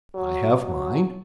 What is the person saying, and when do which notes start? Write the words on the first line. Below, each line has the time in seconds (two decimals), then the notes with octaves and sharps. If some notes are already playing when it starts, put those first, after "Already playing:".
"I have mine."
0.15 F#3
0.63 F#3